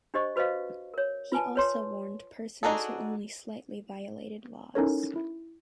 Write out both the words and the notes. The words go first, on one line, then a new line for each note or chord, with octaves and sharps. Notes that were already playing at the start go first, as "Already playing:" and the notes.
He also warned persons who only slightly violated laws.
D4 G4 C5 D#5 C#6
F#4 B4 C5 D#5 F5
A#4 C#5
F4 B4 G#5 A5
B4 C#5 C6
D4 D#4 F#4 G#4 A4
C#4 D#4 E4 A4 A#4 C#5
E4